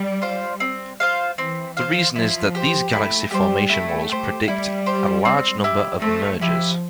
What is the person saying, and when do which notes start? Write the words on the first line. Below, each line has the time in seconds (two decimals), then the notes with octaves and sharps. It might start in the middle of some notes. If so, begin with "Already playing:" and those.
The reason is that these galaxy formation models predict a large number of mergers.
Already playing: G3
0.22 F4 C5 F5
0.60 C4
1.00 F4 C5 F5
1.38 E3 C4
1.77 F4 C5 F5
2.15 F3 E4
2.55 G4 C5
2.93 A3 E4
3.31 G3 G4 C5
3.70 A3 E4
4.09 G4 C5
4.48 G3 E4
4.86 G4 C5
5.25 C4
5.64 E4 G4
6.02 A3 C4
6.41 F3 E4 G4